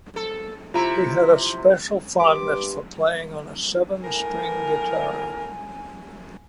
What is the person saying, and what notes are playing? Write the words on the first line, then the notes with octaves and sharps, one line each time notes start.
He had a special fondness for playing on a seven string guitar.
A4
C3 E4 F4 A#5
G2 G4 B4 C6 D6
A2 A#4 G#5